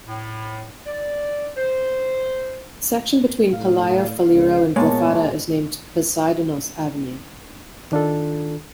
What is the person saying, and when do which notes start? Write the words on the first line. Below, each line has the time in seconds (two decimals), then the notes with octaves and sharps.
The section between Palaio Faliro and Glyfada is named Poseidonos Avenue.
0.07 A2
0.87 D5
1.57 C5
3.53 A2 F5
4.32 C#2
4.76 A#2 G#3 A#3 B3 C#5 A5
7.92 D#3 D4 F4 A4